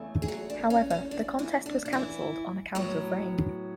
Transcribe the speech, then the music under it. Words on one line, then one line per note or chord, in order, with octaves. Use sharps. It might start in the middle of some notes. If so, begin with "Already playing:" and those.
However, the contest was canceled on account of rain.
Already playing: E2 C#3 A3
G#4
F#3 F#4
D4
C#4
C#4
D4
E3 E4
D4
D4
E3 E4
A2 F#3 B3